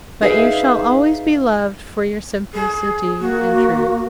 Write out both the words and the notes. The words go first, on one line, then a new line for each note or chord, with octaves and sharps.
But you shall always be loved for your simplicity and truth.
D#4 G#4 B4 E5 F5
G#4
A#3 F#4